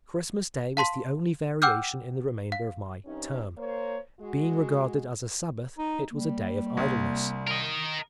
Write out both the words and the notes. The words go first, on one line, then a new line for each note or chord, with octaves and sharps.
Christmas Day was the only variation in the remainder of my "term." Being regarded as a Sabbath, it was a day of idleness.
F5 A5 C6 B6
F#5 G5 D6 E6 F6 G6
F5
G2 C3 C#4 D#4
A#3 C5 C#5
G#3 F#4
D#4
G3 A#3
C2
A#4 D#5